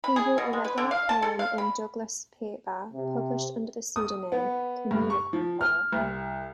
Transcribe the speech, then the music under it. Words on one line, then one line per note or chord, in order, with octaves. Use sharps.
He wrote a regular column in Douglass' paper, published under the pseudonym, 'Communipaw.
B5
G#4
B2
G#3
B4
D3
F5
A5
A4
F5
B5
C3
D#6
B3
G2
C#6
F3
F6
C2